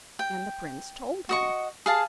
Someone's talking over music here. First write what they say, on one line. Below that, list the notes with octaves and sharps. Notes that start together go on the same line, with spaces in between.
And the prince told him.
G5
F#4 D#5 C#6
G#4 F5 A5